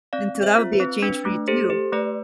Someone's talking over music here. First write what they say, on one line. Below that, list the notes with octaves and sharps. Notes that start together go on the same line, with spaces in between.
And to that would be a change for you too.
C4 D5 F5
C4
C5 E5
F4
B4
C4
D4 B4
A3
G4 A4 C5
G4
A3 B4 D5